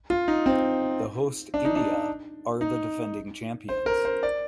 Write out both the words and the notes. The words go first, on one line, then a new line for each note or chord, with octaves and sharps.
The hosts India are the defending champions.
F4
D#4
C4
D4
D#4
D4
D#4
C5
A#4
C5
D5